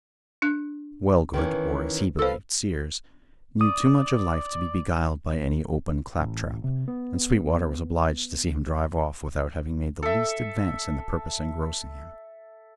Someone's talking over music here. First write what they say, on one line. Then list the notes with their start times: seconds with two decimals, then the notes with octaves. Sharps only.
Wellgood, or, as he believed, Sears, knew too much of life to be beguiled by any open clap-trap, and Sweetwater was obliged to see him drive off without having made the least advance in the purpose engrossing him.
0.42 D4 F#6
1.34 D#3 E3 C#4
2.19 A4 B4 C5 F5 E6
3.61 D5 D#6
6.20 A1
6.64 C3
6.88 B3
10.03 A4 E5